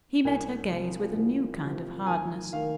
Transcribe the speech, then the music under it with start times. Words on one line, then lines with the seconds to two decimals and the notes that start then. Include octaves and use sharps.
He met her gaze with a new kind of hardness.
0.25 C2 G#5
0.71 C3 F3
1.16 C2
1.62 C3 F3
2.07 D#2 G#5
2.52 D#3 F5